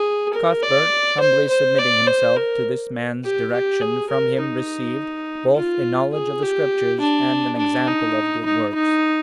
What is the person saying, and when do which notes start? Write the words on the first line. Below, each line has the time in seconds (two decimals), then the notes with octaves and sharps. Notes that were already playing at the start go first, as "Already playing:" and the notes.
Cuthbert, humbly submitting himself to this man's direction, from him received both a knowledge of the Scriptures, and an example of good works.
Already playing: G#4
0.33 A#4
0.63 D5
1.20 C5
1.50 C5
1.79 D5
2.07 C5
2.36 A#4
3.24 G4
3.52 G4
3.81 G#4
4.10 A#4
4.40 D#4
5.55 F4
6.13 G#4
6.43 G4
7.00 D4
7.58 D4
7.87 D#4
8.45 D#4
8.75 D#4